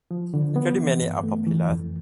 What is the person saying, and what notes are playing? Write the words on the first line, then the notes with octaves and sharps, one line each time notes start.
Including many are popular.
F3
D3
B3
E3
G2
A3
E3
F2